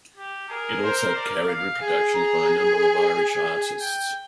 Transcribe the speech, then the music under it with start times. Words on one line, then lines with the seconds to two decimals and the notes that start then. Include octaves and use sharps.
It also carried reproductions by a number of Irish artists.
0.17 G4
0.49 G#4 A#4
0.83 C5
1.15 D5
1.48 F5
1.81 G#4 G#5
2.14 A#5
2.47 G#5
3.80 G5